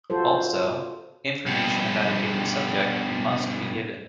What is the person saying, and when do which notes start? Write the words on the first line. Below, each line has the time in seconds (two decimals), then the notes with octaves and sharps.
Also, information about a given subject must be given.
0.10 F4 F#4 A4 C5
1.46 G2 B2